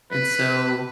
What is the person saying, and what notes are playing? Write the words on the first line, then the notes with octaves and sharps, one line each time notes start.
And so,
B4